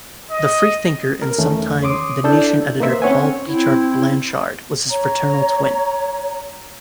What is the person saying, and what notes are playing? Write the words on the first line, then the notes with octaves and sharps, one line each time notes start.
The freethinker and sometime "The Nation" editor Paul Beecher Blanshard was his fraternal twin.
D#5
A#4
E2 D#3 A3 C#4
C#5 C6 D6 D#6
D4 E4 A4 D5 E6 G6
A#3 D#4 B4 C5 E5
C4 C#4 C#5 F#5 G#5
C4 E4
C#5 A#5